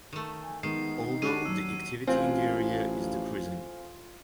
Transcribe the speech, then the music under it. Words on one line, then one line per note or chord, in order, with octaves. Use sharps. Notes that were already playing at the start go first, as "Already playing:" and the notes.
Although the activity in the area is decreasing.
D#3 A3
G#5
D#3 G#3 B3 D#4 C7
G#3 C#4 D4 F#4 G4 D#7
D#2 F#3 E6
A1 C4 F4 C5 F5 G#5